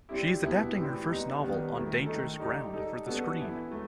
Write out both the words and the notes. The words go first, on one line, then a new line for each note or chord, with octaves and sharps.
She is adapting her first novel, "On Dangerous Ground", for the screen.
G3 C4 E4 G4
B2 F#3 B3 E4 G4
A2 E3 G3 C4
G3 B3 D#4
D#3 G3 B3
D#3 F#3 A3 E4
D#3 A3 D#4 A4
G3 D#4 G4
G3 D#4 A4
G3 B3 F#4 A4
E3 B3 E4
F#3 A3